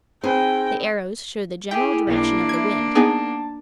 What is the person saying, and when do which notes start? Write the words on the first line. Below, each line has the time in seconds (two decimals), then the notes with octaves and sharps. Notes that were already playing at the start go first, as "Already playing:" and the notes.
The arrows show the general direction of the wind.
0.24 C4 D#4 G#4 B4 C5 G5 G#5
1.71 E4 G4 G#4 G5
2.07 B1 A#3 D4
2.49 G#6 D7
2.95 B3 D#4 G#4 A5